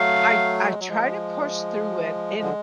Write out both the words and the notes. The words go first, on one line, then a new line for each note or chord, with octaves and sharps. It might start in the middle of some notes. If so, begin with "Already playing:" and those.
I I tried to push through it, and
Already playing: F#3 A3 F5
G#3
F#3
F3 G#3
D3